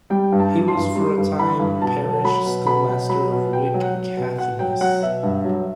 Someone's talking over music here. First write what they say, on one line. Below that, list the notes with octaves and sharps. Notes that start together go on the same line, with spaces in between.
He was for a time parish schoolmaster of Wick, Caithness.
G3 G5
G2
A5
E3
C6
G2
G3 C6
G2
E3 B5
G2
B2 A5
F#3
F#3 B5
B2
B2 B5
F#3
F#3 B5
B2
B2 G5
F#3
F#5
F#3
B2
B2 F#5
F#3 G5
F#3 F#5
B2 E5
G2
F#3